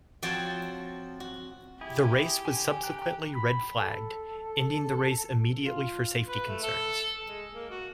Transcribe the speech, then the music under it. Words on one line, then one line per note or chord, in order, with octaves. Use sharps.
The race was subsequently red flagged, ending the race immediately for safety concerns.
F3 C4 F#4 C#5 G5 A5
F#4
E4 G4 G#4
D3 G#5
G5 A#5 F#6
B5
A4
F4
B4
A3
A4
G#3
A#3
F#4